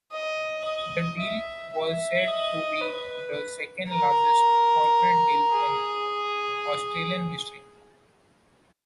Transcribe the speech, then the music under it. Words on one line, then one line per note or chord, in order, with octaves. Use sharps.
The deal was said to be the second largest corporate deal in Australian history.
D#5
D#5
E5
E5
D#5
B4
A#4
G#4